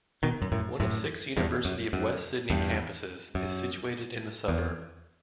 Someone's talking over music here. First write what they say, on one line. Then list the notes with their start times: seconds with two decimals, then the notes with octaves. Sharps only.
One of six University of Western Sydney campuses is situated in the suburb.
0.23 B2 D#3
0.42 F#2
0.52 F#2 A2
0.80 F#2 A2
1.37 E2 G2
1.65 F#2
1.93 F#2
2.50 E2 G2
3.35 F#2
4.48 E2